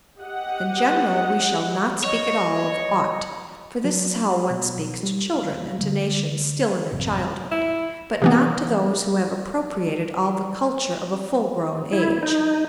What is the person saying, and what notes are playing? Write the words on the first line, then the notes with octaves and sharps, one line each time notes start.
In general, we shall not speak at all of "ought," for this is how one speaks to children and to nations still in their childhood, but not to those who have appropriated all the culture of a full-grown age.
G4 D#5 F#5
C#5 D#5
F#3
B2
G3
F5
D3 G3 A3
G#1 F2 C3
E4
C3 E3 B3
E4
D#4